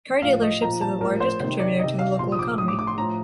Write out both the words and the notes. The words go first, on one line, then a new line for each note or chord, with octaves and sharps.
Car dealerships are the largest contributor to the local economy.
A2 F3 F5
D#5
A#2 F3 A#5
A5
A2 F3 A#4
C5
C3 D#3 C5
D5
C3 D#3 D#5
F5
A#2 F3 C6
D#6
D6
A2 F3 D#6
D6
D6
C6
A2 F3 A#5